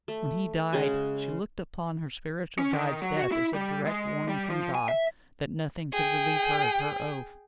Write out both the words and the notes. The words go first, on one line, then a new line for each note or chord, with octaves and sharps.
When he died, she looked upon her spiritual guide's death as a direct warning from God, that nothing could relieve her of her oath.
A3
C#3 G#3 F#5 G#5
C#4
D#3
F#3
F#4
E4
G3
G#3
G3
F3
G#5
E5
G#4 G5